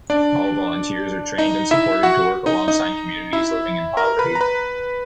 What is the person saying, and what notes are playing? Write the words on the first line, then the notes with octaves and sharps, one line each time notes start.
All volunteers are trained and supported to work alongside communities living in poverty.
D4 D5
D#4 D#5
E4 E5
F#4 F#5
D#4 D#5
D#4 D#5
E4 E5
A#4 A#5
B4 B5
A#5
B4 B5